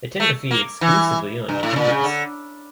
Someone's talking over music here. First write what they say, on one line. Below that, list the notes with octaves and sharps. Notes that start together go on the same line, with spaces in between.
They tend to feed exclusively on humans.
A3
A#3
E3
G2
A2
A#2
C#3
D3